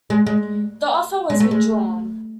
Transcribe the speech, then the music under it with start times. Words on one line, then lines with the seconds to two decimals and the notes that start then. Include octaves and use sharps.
The offer was withdrawn.
0.10 G#3
0.27 G#3
1.30 G#3
1.40 A3
1.51 G#3